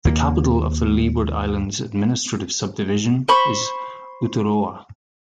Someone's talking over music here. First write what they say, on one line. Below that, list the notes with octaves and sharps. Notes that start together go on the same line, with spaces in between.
The capital of the Leeward Islands administrative subdivision is Uturoa.
D#2 A#3
C5 B5 C#6